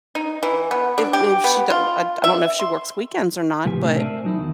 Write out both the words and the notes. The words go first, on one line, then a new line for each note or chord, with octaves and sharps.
if if she da I I don't know if she works weekends or not, but
D#4
E3
B3
D4
G4
B3
F4
E5
C6
C#2 A2 F3 G4 B4 G#5
A2 C3 A3 C4 D4
A#4 C5 D5 E5 G#5 A5
F#3 D#4 E4
E2 D#3